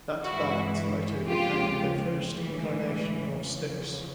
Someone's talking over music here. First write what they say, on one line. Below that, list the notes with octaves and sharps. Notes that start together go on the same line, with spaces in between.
That band later became the first incarnation of Styx.
G2 E3 G#3 E4 F#4
D#2 C#3 F3 G#3 F4 G4
A2 E3 G#3
E2 C#3 F3